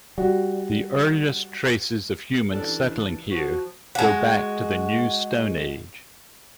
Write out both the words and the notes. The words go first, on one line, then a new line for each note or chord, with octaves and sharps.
The earliest traces of humans settling here go back to the New Stone Age.
G3 F#4
E3 G3 C#4 D4 A4 D5
F3 F#4
G#3 F#4